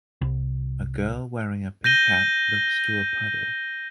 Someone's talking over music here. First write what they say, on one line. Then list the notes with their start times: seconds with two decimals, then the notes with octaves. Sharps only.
A girl wearing a pink hat looks to a puddle.
0.21 C2
1.84 G6 A#6 D#7 G7